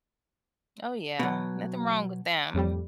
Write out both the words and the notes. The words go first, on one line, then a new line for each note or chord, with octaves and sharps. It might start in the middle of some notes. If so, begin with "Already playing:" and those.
Oh, yeah. Nothing wrong with them.
B2 F#3
F2 A2 G3